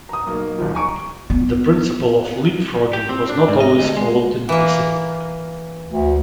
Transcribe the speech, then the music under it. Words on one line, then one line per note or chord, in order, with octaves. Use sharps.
The principle of leapfrogging was not always followed in the Pacific.
A#5 D#6
B1 A#3
D#1 B1 F3
G#5 A#5 C#6 D7
B3
G4
C4
D4
G#2
D#5
D2
G#3
E3 A#3
D2